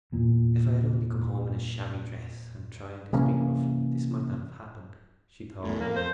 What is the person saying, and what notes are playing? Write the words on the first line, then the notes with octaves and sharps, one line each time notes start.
"If I had only come home in a shabby dress, and tried to speak roughly, this might not have happened," she thought.
E2 A#2
C3 E3 A#3 C#4
E2 A2
F2 A#3
C5